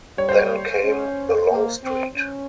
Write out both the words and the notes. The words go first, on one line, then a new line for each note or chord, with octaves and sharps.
Then came the long street.
G3 C#5
C5
C#5
C#4
A#3
C4
C#4